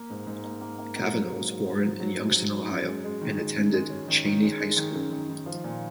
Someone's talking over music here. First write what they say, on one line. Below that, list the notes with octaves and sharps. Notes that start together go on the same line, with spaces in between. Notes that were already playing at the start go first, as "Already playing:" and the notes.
Cavanaugh was born in Youngstown, Ohio, and attended Chaney High School.
Already playing: A#3
G#2
G#2
A#3
A#3
A#3
A#3
F#3
G#2
G#2
G#2
F#3
F#3
G#2
F#3
F#3
F#2
G#3
G#3
D#3
G#3
F#2
G#3
C#4
D#3
D#3
G#3
G#3
D#3
F#2
D#3
D#3
F3
A#2